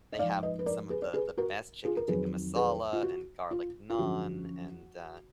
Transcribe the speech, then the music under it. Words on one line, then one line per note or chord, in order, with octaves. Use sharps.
they have some of the the best chicken tikka masala and garlic naan, and, uh,
D#5
G#2 F3 D5 F5
B4 D#5
B4
A#4 D5
G#4 B4
D5
G#4 B4
F#4 A#4
F4 G#4
A#4
F2 D#3 F#3 G#4 B4
G#4 B4
F4
F#4
F4
F4
F#2 D3 F3 F#4